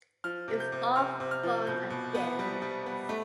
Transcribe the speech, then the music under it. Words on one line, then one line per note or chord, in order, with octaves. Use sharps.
It was all fun and games.
F3 F6
C3
G6
C3
C3 F6
C3
F6
F3
B2 G6
B2
B3
G3
G3
B3
A3